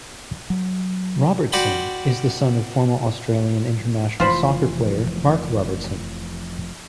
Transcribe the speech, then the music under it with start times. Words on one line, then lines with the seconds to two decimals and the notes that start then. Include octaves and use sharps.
Robertson is the son of former Australian international soccer player Mark Robertson.
0.50 F#3
1.52 F#4 D5 G5 B5 C6
4.20 F1 E3 F3 F4 C5 B5